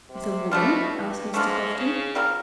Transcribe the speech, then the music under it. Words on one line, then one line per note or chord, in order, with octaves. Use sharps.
"With a woman?" asked Mr. Crofton.
C3
B2 A3 D4 F4
G2
G#2 A3 D4 F4
C#3
G3 C4 F4 A#4